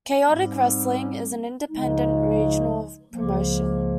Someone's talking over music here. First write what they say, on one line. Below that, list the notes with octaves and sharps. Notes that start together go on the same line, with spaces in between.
Chaotic Wrestling is an independent regional promotion.
G#2 G3 C4
C#2 C#3 F3 G#3 D#4
C#2 C#3 F3 A#3